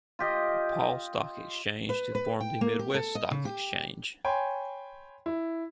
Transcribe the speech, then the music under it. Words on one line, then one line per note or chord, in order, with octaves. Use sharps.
Paul Stock Exchange to form the Midwest Stock Exchange.
F4 G4 D#5
B4
B4
G5
A#3
G4
A4
D#5
C#3
G4
C#5 G5 G#5 B5 C6
E4